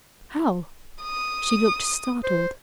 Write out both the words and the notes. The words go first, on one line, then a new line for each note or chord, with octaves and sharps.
"How?" She looked startled.
D#6
C5